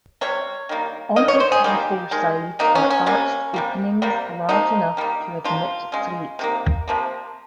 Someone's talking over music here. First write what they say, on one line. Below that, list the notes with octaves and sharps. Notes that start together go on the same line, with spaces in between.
On each of the four sides are arched openings large enough to admit freight.
C3 G3 C#5
D#3 G3 A#3
D#3 A#3 D#5
C#5
C5
G#4
D#3 G3 A#3 G4
D#3 G#3
C3 D#3 A#3 D#4
C#4
C#4
C3 G3 A#3 C#4
C3 G3 A#3
C3 G3 A#3
C3 F3 A#3 D#4
D#3 G3 A#3
C3 F3 A#3 F4
C#3 G#3
C3 D#3 A#3
C3 F3 A#3